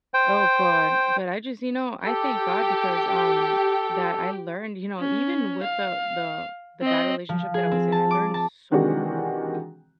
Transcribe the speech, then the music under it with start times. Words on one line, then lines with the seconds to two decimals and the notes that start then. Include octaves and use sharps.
Oh, God, but I just, you know, I thank God because, um that, I learned, you know, even with the the the bad relationship that I was in, I learned so,
0.14 C5 G5
2.05 G4 A4
4.99 C#4
5.63 F5
6.82 C4 D#5
7.29 F3
7.54 G#4
7.71 C4
7.92 A5
8.11 D6
8.34 A5
8.71 C3 D#3 E3 G#3 D4 F#4